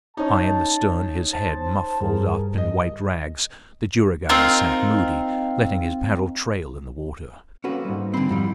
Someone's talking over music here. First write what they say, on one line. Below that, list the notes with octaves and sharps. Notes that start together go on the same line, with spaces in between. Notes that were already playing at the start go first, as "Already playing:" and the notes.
High in the stern, his head muffled up in white rags, the juragan sat moody, letting his paddle trail in the water.
C#4 D#4 A5
C5 A5
G2 G#4 A#4
D2 D#5
C4 D#4 F4 A#4
A#3 C4 C#4 F#4 A4 B4
G#2 G3
D3 C4 B5
F2 G#2 G3 E4